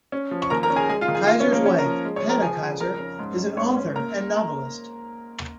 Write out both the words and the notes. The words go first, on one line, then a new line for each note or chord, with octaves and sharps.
Kaiser's wife, Panna Kaiser, is an author and novelist.
C#4
F3
C#6
D#2 A#4 A#5
A#4 A#5
C#4
G#4 G#5
G#3 G#4 G#5
F4 F5
D#3
G#4 G#5
G#3 F4 F5
C#4 C#5
F3
A#3 A#4
C#4 C#5
A#4 A#5
F3
G#3
C#5 C#6
F3
A#4 A#5
F3 G#4 G#5
C#3
F2 A#4 A#5
C#4
G#2
C#4
G#2 C#5 C#6
C#4
A#3 A#4 A#5